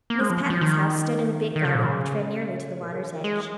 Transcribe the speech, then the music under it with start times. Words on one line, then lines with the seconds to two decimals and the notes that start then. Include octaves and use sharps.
Miss Patten's house stood in a big garden which ran nearly to the water's edge.
0.10 A#3
0.20 G#3
0.30 F3
0.50 F3
0.61 D#3
1.56 D#3
1.65 C#3
1.75 A#2
1.85 C#3
2.82 A#2
2.92 C#3
3.03 D#3
3.13 F3
3.24 G#3